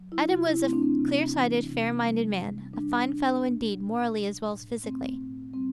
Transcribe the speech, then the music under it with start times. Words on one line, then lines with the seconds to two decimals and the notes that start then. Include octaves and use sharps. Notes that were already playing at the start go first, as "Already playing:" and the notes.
Adam was a clear-sighted, fair-minded man--a fine fellow, indeed, morally as well as physically.
Already playing: F#3
0.12 E4
0.29 C3 F#4
0.47 E4
0.63 A3 C4
0.73 D4
0.82 C4
0.99 C3
1.34 E3
1.69 C3
2.03 G3
2.38 C3
2.73 G3 D4
3.09 G3 D4
3.44 B2
3.78 B2
4.14 F#3
4.48 A2
4.83 A3 C4
5.18 A2
5.53 G3 C4